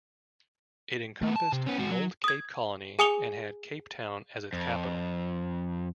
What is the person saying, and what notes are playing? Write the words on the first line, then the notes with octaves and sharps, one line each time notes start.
It encompassed the old Cape Colony, and had Cape Town as its capital.
A3 B3
A5
C3
B3 C#4
G#2 F#4
F#3
D#6 G#6
G#4 G#5 D#6 C#7 F7 G7
F2